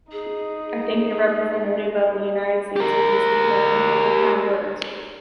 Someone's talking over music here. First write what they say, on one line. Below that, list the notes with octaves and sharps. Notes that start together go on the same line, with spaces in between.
I thank the representative of the United States for her statement and for her kind words.
D#4 G#4
G4 A#4